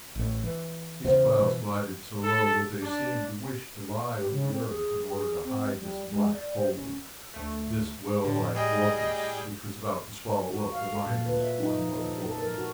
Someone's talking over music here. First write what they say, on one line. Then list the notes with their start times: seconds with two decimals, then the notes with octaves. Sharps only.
These clouds glided so low that they seemed to wish to lie on the earth in order to hide this black hole, this well-like orifice which was about to swallow up the miners one by one.
0.15 A1 A2
0.44 E3
1.05 E2 C#3 C5
1.39 B2 E3
2.23 A4
2.81 D4
4.18 G4
4.31 C#3
4.50 C4
4.66 G#4
5.09 G#4
5.43 C4
5.79 G3
6.11 G#3
6.33 D5
6.55 C5
6.73 C#4
7.34 D2 A3
8.24 A2 D3
8.55 G3 G#4 D#5 G5
10.50 F#4
10.72 F5
10.93 A4
11.06 A#2
11.26 B4
11.41 E5
11.60 D#4
11.78 F3
11.95 A4
12.26 A4
12.39 A#4
12.58 F#4